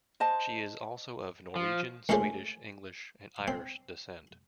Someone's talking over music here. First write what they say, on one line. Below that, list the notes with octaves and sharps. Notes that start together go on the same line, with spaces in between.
She is also of Norwegian, Swedish, English and Irish descent.
C5 D#5 A5
F3
C#2 A#2 A3 G#4 C5 C#5
C4